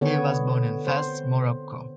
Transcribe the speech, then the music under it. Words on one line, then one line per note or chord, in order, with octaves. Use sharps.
He was born in Fes, Morocco.
D3 B3 C#5
C5